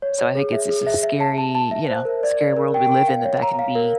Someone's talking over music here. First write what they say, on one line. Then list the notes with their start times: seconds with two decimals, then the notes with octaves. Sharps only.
so I think it's it's a scary, you know, scary world we live in that that can be
0.02 C#5
0.19 C#5
0.35 G#4
0.52 E5
0.69 G#4
0.87 E5
1.03 E5
1.20 A5
1.38 A5
1.55 A5
1.71 E5
1.88 C5
2.05 A#4
2.23 D5
2.40 D5
2.57 A#4
2.74 G5
2.91 G5
3.08 F5
3.25 C#5
3.42 A#5
3.59 F5
3.75 A#4